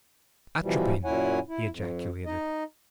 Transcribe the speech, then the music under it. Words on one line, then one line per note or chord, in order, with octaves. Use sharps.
"Atropin!" he ejaculated.
B2 E3 F3 G3
F#2 A#2 E4 C#5 F#5 G#5
E4
F2
D#4 D#5